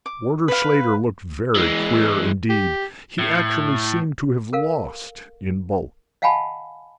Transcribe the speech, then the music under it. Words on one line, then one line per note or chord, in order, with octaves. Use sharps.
Warder Slater looked very queer indeed--he actually seemed to have lost in bulk.
D6
B4 F5
E3 G#3
G4
A2
A4 A#4 F5
D#5 F5 F#5 G#5 A5 B5